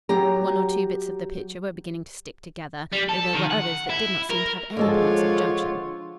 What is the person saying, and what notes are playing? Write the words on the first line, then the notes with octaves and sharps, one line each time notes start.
One or two bits of the picture were beginning to stick together, though there were others that did not seem to have any points of junction.
F#3 G4 A#5
G3
A4
D#3
F#5
E4
A#4
D3 F3 G#3 F4 A4 C#5